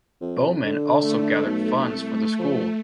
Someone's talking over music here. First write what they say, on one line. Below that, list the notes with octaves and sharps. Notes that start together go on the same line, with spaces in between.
Bowman also gathered funds for the school.
F2
D3
A3
B1
C2
F3